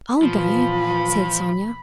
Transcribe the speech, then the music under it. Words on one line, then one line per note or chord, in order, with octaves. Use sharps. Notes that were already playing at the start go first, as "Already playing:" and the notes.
"I'll go," said Sonya.
A#2 E3 F3 B3 F4 B5